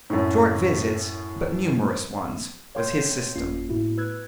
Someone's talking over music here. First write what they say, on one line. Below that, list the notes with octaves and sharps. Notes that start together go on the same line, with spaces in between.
Short visits, but numerous ones, was his system.
F#2 A2
C#5 F5 G5 C6 G6 G#6
G1 F2 A#3 C#4 F4 C7
A2 A3 B3 E4 F#4
B4 E6 F#6 G#6